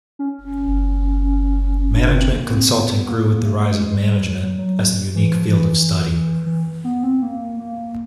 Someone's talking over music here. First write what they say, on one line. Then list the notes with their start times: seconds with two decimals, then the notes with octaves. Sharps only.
Management consulting grew with the rise of management, as a unique field of study.
0.19 C#4
1.95 D4
2.13 C4
2.32 A#3
2.51 C4
2.69 B3
3.08 A#3
3.37 A#3
3.45 A3
3.71 G#3
3.95 G3
4.20 F#3
4.58 F#3
5.15 E3
5.34 F3
5.52 E3
6.46 E3
6.84 B3
7.03 C4
7.22 A#3
7.59 A#3